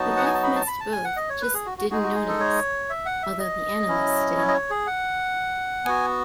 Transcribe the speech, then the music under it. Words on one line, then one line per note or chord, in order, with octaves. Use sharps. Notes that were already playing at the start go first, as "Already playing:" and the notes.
The ref missed both, just "didn't notice", although the analysts did.
Already playing: F#3 B3 D#4 F#4 A5
F#5
G#5
A5
B5
A5
B5
A5
G#5
F#5
D#5
C#5
B4
G#4
F#4
F#4
G#3 D#4 F#4 G#4
F#4
G#4
A4
C#5
E5
F#5
E5
D#5
F#3 C#4 E4
C#5
D#5
C#5
G#4
F#5
B3 F#4 G#5